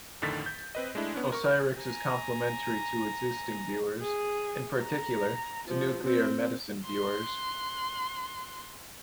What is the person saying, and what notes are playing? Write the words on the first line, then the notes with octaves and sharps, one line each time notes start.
Osirix is complementary to existing viewers, in particular to nuclear medicine viewers.
F2 A2 D3 D#3 A6 B6
G6
C4 B4 D#5
G#3 A3 D4 E4
B3 C#4 D4
A#4 C#6
G#5 A#5
G#4
A#5
F3
C4
C6 F#6